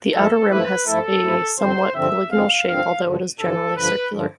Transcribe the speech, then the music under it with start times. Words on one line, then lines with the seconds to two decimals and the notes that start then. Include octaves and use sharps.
The outer rim has a somewhat polygonal shape, although it is generally circular.
0.14 G2 F3 A3 E4 A4
0.50 G2 F3 A3 E4 B4
0.86 G2 F3 A3 E4 A4
1.23 G2 F3 A3 E4
1.59 G2 D3 F3 C4 C5
1.95 G2 D3 F3 C4 E5
2.31 G2 D3 F3 C4 F5
2.68 G2 D3 F3 C4 F5
3.04 G2 D3 F3
3.40 G2 D3 F3 A4
3.76 G2 D3 F3 B4
4.13 G2 D3 F3